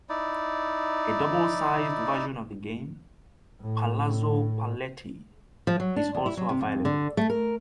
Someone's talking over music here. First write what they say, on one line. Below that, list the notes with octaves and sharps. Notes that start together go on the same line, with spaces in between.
A double-size version of the game, "Palazzo Paletti", is also available.
D#4 E4 D5
A2
F3
F#3
D4
E2
E4
F#3
C3
F2
D3
A3
A#4